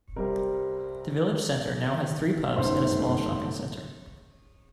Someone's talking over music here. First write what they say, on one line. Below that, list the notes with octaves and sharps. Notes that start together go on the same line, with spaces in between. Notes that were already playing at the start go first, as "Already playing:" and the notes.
The village centre now has three pubs and a small shopping centre.
C2 C3 G3 C4 A#4
G1 F#2 D#3 A3 C5